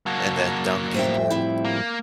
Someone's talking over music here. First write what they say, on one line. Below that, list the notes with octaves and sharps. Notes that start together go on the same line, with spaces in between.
and then dumb people
F#3 A#3 F#5 A5
A2 F3 G3 C5 E5 G5
C4 E4
A#3